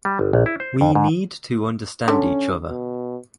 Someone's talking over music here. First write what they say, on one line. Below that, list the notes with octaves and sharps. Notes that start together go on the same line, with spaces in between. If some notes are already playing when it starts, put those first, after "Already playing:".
We need to understand each other.
G3
G1
A#1
E4
C5
F2
G#2
D3 C#4
B2